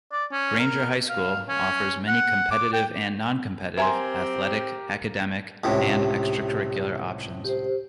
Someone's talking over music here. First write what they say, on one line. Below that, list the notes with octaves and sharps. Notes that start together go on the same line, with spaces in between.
Granger High School offers many competitive and non-competitive athletic, academic, and extra-curricular options.
D5
C#4
A#4
F5
C#4
F#5
D6
G5
C4 G4 A#4 E5 G#5 A#5 C6 G#6
C#2 A2 C3 G4
G4 C5